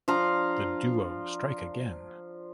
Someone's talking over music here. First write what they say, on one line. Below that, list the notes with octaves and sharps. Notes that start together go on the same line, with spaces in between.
The duo strike again!
F3 D4 F5 A#5